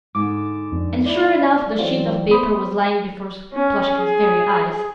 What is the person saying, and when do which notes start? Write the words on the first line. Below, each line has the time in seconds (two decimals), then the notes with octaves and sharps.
And, sure enough, the sheet of paper was lying before Plushkin's very eyes.
0.15 G#2 D3 D6
0.72 F2 D4
1.06 E4 D5
1.79 E3 F#3 C4 F4
2.31 B3 C5 B5 D#6
3.53 C#4
3.97 G#4